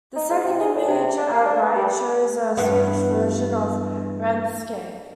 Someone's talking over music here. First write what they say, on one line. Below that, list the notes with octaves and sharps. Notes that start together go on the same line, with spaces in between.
The second image at right shows a Swedish version of "renskav".
D#4
G#2
C3
G#4
A2
C3
D4
A#3
D4
B3
G3
E2 G2 B3